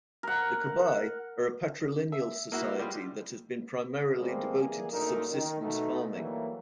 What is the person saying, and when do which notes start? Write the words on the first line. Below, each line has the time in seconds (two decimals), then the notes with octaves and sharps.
The Kabye are a patrilineal society that has been primarily devoted to subsistence farming.
0.23 A#4 F#5
2.12 E5
2.52 A#3 E4 F#4
2.79 G3 G#3 F4
4.18 E3 G3 G#3 A#3 C4
4.60 E3 G3 A#3 G#4
4.91 F#2 A#2 D3 A3 D#4 A#4
5.29 D#3
5.61 B2 A3 D#4
6.12 E3 F#3 G3 A3 A#3